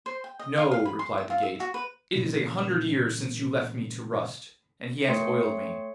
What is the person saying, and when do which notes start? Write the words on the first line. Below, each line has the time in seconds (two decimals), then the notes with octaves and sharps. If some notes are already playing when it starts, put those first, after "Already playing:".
'No,' replied the gate; 'it is a hundred years since you left me to rust, and he has oiled me.
0.06 C5
0.24 G5
0.39 D#5
0.57 F5
0.71 F5
0.85 B5
0.99 C6
1.18 E5
1.30 F4
1.43 E5
1.60 F#4
1.74 B4
2.15 A#2 C#3 E3 G#3
5.09 A3 C#5 G5 C6 C#7